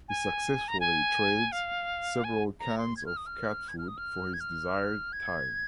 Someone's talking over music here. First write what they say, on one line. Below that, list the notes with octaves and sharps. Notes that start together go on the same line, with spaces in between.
He successfully trades several cans of cat food for his desired time.
G#5
A#5
G#5
F5
G#5
A#5
C6
G#6
F6
D#6
F6
G#6
F6
D#6
F6
G#6
F6
G#6